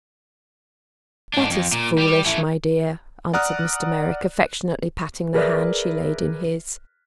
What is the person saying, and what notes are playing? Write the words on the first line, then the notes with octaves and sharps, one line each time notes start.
"That is foolish, my dear," answered Mr. Merrick, affectionately patting the hand she laid in his.
G#2 D4
F2
A#2
G3 G4
E3 A3
D5 F#5 A#5 D#6 F6 F#6
G#4 A#4 B4 D5 E5